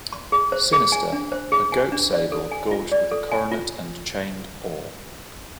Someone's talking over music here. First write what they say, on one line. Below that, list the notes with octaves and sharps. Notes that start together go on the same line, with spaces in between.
Sinister: a Goat Sable, gorged with a Coronet and chained Or.
C6
G#4
C5
G#4
G#5
D4
C5
G#4
G#5
D4
D5
A4
G#5
F4
D5
A4
G#5
F4